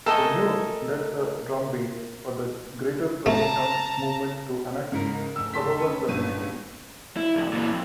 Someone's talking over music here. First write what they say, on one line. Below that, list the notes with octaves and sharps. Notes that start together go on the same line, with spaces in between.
The "News" led the drumbeat for the "Greater Birmingham" movement to annex suburban communities.
A3 A4 A#4 D#5 G#5 A5
A3 A5 A#5
G#2 C#3 C#4 E4 A#4
D2 G#2 E6
A5 C6 B6
C#4 B4
G1 D#7
E4
C2 F2
A#2 E3
F2